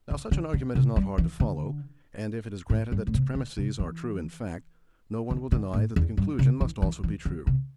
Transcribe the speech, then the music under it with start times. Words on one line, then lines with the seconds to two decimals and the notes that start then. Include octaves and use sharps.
Now such an argument is not hard to follow; and if it is granted that its premisses are true in fact, no one will deny that the conclusion must also be true.
0.11 D3
0.31 D3
0.54 D3
0.75 C3
0.96 G3
1.18 E3
1.40 D3
2.70 A2
2.92 G2
3.07 A2
3.14 C3
3.35 D3
3.57 C3
3.79 E3
5.31 D3
5.52 D3
5.73 A2
5.96 E2
6.17 G2
6.39 C3
6.61 E3
6.82 E3
7.03 E3
7.25 D3
7.47 C3